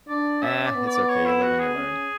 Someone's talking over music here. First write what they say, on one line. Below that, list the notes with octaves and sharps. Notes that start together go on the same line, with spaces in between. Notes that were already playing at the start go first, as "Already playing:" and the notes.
Ah, it's okay, you live and you learn.
D4 D5
C#4 E5
D5
B3
D5
C#5
E4
F#4
G#4
C#4